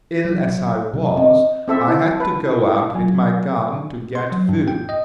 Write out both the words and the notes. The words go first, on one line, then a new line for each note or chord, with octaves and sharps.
Ill as I was, I had to go out with my gun to get food.
F#3
C3 F#3
C4 D#5
C4 A4 E5
E4 A5
B4
F#3 G#5
C6
F#3
G2
G5
D#5